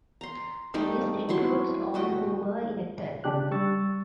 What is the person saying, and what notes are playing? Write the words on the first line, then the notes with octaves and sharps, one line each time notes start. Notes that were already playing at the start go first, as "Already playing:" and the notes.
The list includes all who were elected.
A#5 C6
G3 A3 D#4
F#3 E4 C6 C#6
A3 F#4 D#5 G5
C#3 D4 G4 F#6
G3 C#6 E6 A6